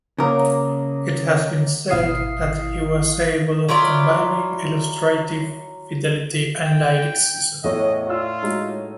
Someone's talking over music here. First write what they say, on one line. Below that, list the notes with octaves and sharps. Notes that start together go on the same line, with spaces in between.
It has been said that he was able of "combining illustrative fidelity and lyricism".
C#3 F#3 A#3 A#4 D#5
G#1 B2 E4 F5 D#6 C7
F#3 E4 F4 D5
G5
E2 A2 C#5 D#5
F4 D5 E6
G#3 D#4 F#4